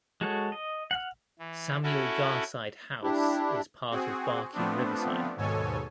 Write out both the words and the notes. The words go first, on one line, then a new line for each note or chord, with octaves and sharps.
Samuel Garside House is part of Barking Riverside.
G#3 F#4 A4 C#5
D#5
F#5 F6
E3
C#4 E4 F#4 A4
D4 E4 G4
C4 F#4 G#4
F3 A3 B3 C4 D4
D#2 G#2 B2 A4 C#5 G#5